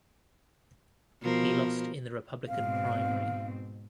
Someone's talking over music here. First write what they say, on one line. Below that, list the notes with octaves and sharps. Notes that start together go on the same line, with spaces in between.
He lost in the Republican primary.
B2 F3 A#4
G#2 B2 C4 F5